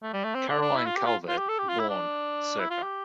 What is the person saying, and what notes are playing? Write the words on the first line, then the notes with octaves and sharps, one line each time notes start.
Caroline Calvert, born circa.
A3
G3
A3
C4
D4
D4
E4
F4
G4
F4
F4
G4
A4
G4
F4
E4
D4
E4
F4
G4